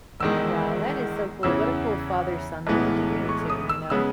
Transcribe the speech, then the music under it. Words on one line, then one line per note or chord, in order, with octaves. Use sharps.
Wow, that is so cool. What a cool father-son thing to do, too, you know?
E1 E2 D#3 G#3 E6
E2 C#3 E3 E6
B1 A2 E3 G#3 B3
C#6
D#6
E6
C#3 G#3 B3 E6